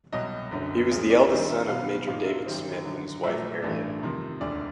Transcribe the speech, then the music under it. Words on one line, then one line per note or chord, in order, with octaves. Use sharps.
He was the eldest son of Major David Smith and his wife Harriet.
C2 B2 F#3 D#5
F#1 F#2 D3 F#3
D2 C#3 F3 G#3
D5
G2 D#3 G3 C4 D#4 E5
E5
B1 B2 F#3 B3 F5
G#2 F3 A#3 D#4 F5
E5
G#1 F#2 D#3 G3 C4
F#2 D3 F#3
A#1 A#2 F#3 A3 E5
A1 G2 E3 A3 D4
F2 C3 D#3
E1 D2 D3 D5